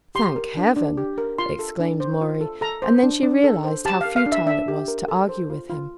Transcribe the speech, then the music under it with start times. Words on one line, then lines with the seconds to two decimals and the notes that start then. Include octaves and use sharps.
"Thank heaven!" exclaimed Maurie, and then she realized how futile it was to argue with him.
0.15 G4 C6
0.36 A#4
0.57 D4
0.76 D4
0.97 G4
1.18 A#4
1.38 F4 C6
1.59 A4
1.80 D4
2.00 C5
2.21 F4
2.41 A4
2.61 A4 A#5
2.82 C5
3.03 D4
3.23 D4
3.44 A4
3.64 C5
3.85 G4 A5
4.01 A#4 F5
4.16 F5
4.26 D4
4.32 E5
4.46 D4 E5
4.68 G4
4.88 A#4
5.08 A4
5.29 C5
5.50 F4
5.70 F4